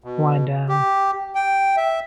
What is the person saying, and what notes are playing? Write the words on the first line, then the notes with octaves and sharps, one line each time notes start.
Wind down.
B2
G4
G5
E5